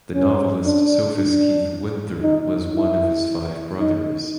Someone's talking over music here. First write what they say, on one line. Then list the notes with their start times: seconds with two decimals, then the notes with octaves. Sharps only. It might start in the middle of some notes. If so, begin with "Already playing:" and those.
The novelist Sophus Keith Winther was one of his five brothers.
0.14 C#4
0.65 D4
1.17 D4
2.22 D#4
2.75 E4
3.79 D#4